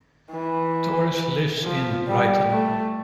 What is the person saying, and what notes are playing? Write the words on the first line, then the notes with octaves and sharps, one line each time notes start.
Torres lives in Brighton.
E3
F3
G3
A3